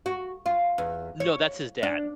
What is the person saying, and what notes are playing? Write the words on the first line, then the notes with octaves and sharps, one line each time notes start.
No, that's his dad.
F#4
F4
E2
C#5
D4